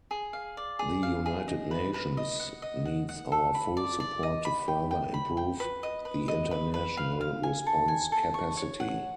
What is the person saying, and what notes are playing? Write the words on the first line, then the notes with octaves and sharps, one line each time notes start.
The United Nations needs our full support to further improve the international response capacity.
G#4
F5
D5
G#4
F5
G#4
D#5
B4
B4
D#5
F#5
D#5
F#5
F#5
A4
B5
D5
D5
D#5
B5
G5
G5
B5
G5
B4
D#5
B4
D#5
B4
B4
F5
F5
G#5
A4
G#5
A4
C#6
C#5
F#5